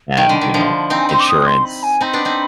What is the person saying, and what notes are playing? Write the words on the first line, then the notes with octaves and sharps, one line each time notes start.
and, you know, insurance
D#3 G5
D3
B5
D#3
D3 F3
C4 D#4
G#5
B5
C4 D#4 C6
D6
D#6
C6
B5
G#5
C4 D#4 B5
B3 D4
C4 D#4